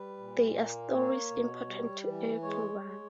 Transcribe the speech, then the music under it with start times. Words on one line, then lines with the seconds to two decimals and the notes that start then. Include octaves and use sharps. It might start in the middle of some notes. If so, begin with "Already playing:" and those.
They are stories important to everyone.
Already playing: G3 B4
0.17 A#2
0.54 A#3
0.92 A#3 C#5
1.30 B2
1.67 G3
2.05 E3
2.42 G#3 C#5
2.81 G#3